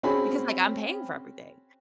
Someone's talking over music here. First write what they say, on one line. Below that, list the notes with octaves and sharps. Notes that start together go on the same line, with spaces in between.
because, like, I'm paying for everything."
C4 C#4 F#4 G#4 B5